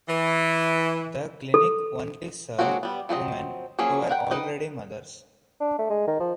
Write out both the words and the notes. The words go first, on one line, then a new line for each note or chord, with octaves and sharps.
The clinic only served women who were already mothers.
E3
A4
F#3 G#3 A#3 C4 F#4
G3 B3
F3 F#3 C4 D#5
F3 F#3 A#3 C#4 G#4
A#4 F#5 G5
D#4 B4 D#5 G5
D4
A3
G#3
D#3
F3